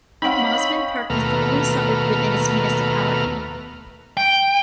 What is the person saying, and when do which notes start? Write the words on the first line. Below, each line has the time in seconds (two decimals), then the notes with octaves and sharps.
Mosman Park is the only suburb within this municipality.
0.22 C4 D#4 C#5 D#5 F5 F#5 B5
1.10 D#2 B2 A3 B4 A#5 F6
4.17 G5